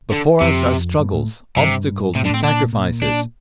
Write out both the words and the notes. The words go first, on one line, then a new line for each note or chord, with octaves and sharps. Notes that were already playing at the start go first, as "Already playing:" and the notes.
Before us are struggles, obstacles and sacrifices.
D3
F2 C3
G2
A2
G2 C3
A2 C3
D3
A2 C4
A#2 D4
A#2
D4